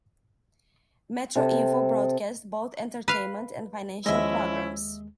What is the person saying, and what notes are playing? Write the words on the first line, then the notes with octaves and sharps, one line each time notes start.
Metroinfo broadcast both entertainment and financial programs.
C3 A4
B4 F5
D#2 F3 G#3 C#4 E4 D#5 E5